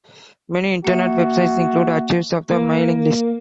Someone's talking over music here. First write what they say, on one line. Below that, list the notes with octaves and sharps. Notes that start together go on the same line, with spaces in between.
Many internet websites include archives of the mailing list.
A#3 F#4 E5
A#3